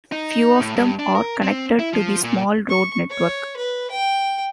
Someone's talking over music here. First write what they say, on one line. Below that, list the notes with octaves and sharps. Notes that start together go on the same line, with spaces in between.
Few of them are connected to the small road network.
D#4
A2
G2
D4
A#4
C4
E4
F3
A#2
C#6
C#5
B4
G5